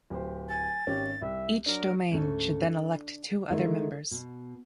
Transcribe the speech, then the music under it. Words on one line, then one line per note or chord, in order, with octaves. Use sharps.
Each domain should then elect two other members.
D1 G4 C5
G#5 A6
G#1 C#4 G4
C2 E5
F#3 D4 A#4
D2 G#2 A3 C#4 A4
D4
D3 D#3 G#3 A3 E4
B2